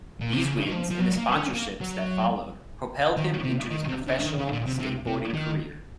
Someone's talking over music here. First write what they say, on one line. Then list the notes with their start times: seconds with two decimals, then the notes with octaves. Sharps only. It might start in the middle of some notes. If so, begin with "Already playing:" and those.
These wins, and the sponsorships that followed, propelled him into his professional skateboarding career.
0.20 A#2
0.33 C3
0.45 C#3
0.66 D#3
0.72 F3
0.91 F3
1.00 F#3
1.18 A#3
1.36 C#4
1.54 A#3
1.81 F#3
3.17 D#3
3.44 C3
3.70 D#3
3.88 C3
4.08 C#3
4.25 D#3
4.38 C#3
4.52 A#2
4.66 C3
4.80 C3
5.06 C3
5.34 D#3